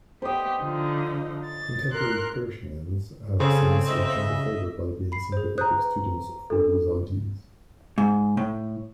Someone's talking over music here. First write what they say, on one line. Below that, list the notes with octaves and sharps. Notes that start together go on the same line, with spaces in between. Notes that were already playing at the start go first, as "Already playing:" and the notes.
Contemporary Peircians have since returned the favour by being sympathetic students of Welby's ideas.
B3 G4 C5 D#5
D3 F3 D#4
A6
A#4 C6 F#6
C#3 C4 G#4 A4
D#5 E5
B5 C7
G#4 C5
C5 A#5 D#6 F#6 G6
B4
D4 A4
G#2
A2